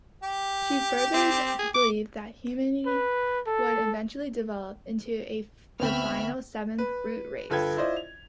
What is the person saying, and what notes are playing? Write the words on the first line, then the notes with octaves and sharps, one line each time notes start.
She further believed that humanity would eventually develop into the final, seventh Root Race.
G4
C4
G#4
D6
B4
A4
D2 B3 C4 E5 G5 B5 F6
B4
G1 F4 A4 B4 G5 G#6
E4 F4 C5 D5 D#5
F7